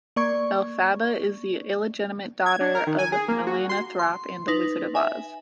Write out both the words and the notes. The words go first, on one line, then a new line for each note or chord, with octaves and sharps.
Elphaba is the illegitimate daughter of Melena Thropp and the Wizard of Oz.
A#3 D5 C#6 G#6
G#6
D4
A#4
D#3
G#5
G#4
A#3
F#4
C6
C6
D#4 B4
E5 G#5